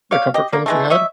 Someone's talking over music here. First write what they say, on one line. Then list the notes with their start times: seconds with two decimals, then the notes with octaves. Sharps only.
the comfort films we had.
0.11 C#5 D5 F5
0.34 G4 D#5
0.52 A#3 D5
0.66 E3 G#3 A3
0.90 C#5 D#5 E5